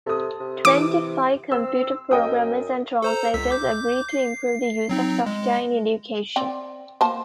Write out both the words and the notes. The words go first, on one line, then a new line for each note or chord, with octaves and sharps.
Twenty-five computer programmers and translators agreed to improve the use of software in education.
C3 A4 D#6
C3
E3 D6
C4 E6
F#2 D#5 G5 D#6
A4 C5 A#5
C#2 E6 B6
D6 G6
C7
F#3 C4 D#4
G#3
C4 D5 G5
A#3 C5 A5